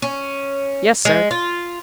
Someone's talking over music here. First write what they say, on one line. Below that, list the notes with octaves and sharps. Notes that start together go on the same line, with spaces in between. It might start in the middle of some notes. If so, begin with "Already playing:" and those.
"Yes, sir."
C#4
G#3
F4